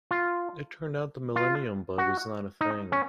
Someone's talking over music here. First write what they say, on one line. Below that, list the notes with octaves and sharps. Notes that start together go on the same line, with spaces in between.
It turned out the millennium bug was not a thing.
F4
F4
F#4
D#4
C#4